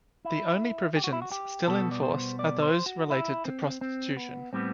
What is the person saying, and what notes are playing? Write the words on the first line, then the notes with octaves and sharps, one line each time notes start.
The only provisions still in force are those related to prostitution.
E4
G4
F#4
E4
F#4
G4
B2 G3 B3 A4
D5
C5
D5
C5
F#4
E4
C4
C4
B3
A2 G3 B3 C4